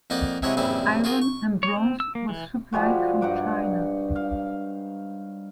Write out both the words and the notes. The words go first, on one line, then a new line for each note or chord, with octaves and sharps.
Iron and bronze was supplied from China.
F2 A#3 D#4 D5 F#5 D6
C3 G#3 E4 C#5 F#5
A#1 G2 C#3 C4 E4 F5
F4 F#4 G#4 A#4
C#6
C#5
C4
E6
A#3
E3
F3 G3 G#3 F#4
G2 D#4 F#5 D6
F5